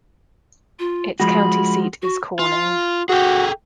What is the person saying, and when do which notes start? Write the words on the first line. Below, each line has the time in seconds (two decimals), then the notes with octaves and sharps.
Its county seat is Corning.
0.79 F4
1.20 F3 G#3 F#4 B5
2.02 F#4
2.39 F4
3.09 F#4 G#4 A4 G5